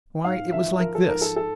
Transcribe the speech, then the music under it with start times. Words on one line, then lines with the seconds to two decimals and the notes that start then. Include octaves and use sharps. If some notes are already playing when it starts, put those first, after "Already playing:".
Why, it was like this.
0.25 G#2 F5
0.52 F3 E5
0.80 F3 A#4
0.95 A4
1.09 G#2 A#4
1.21 A4
1.36 A4